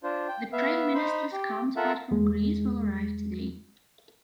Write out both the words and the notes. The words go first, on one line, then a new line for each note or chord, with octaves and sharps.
The prime minister's counterpart from Greece will arrive today.
D4 F4 C5
G5
B3 E5 F5
D#4 C5 B5 C6
G4
F4 A4 A#4 E5 F#5
E2 G#3